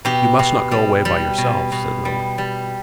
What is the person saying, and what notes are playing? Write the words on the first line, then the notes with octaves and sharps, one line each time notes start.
"You must not go away by yourself," said Lily.
B2 G4
B2
G3
G3
B2
B2
G3
G3